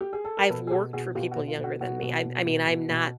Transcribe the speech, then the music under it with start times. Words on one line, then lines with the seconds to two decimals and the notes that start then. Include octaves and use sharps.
I've worked for people younger than me. I'm I mean, I'm not,
0.01 G4
0.13 G#4
0.25 A4
0.37 A#4
0.49 B2 A4 B4
0.67 G#4
0.71 B2 G4 A4
0.93 B2 F#4 G#4
1.15 B2 F4 G4
1.32 F#4
1.36 B2
1.48 F4
1.58 B2
1.64 F#4
1.80 B2 F#4
2.02 B2
2.24 B2
2.46 B2
2.67 B2
2.90 B2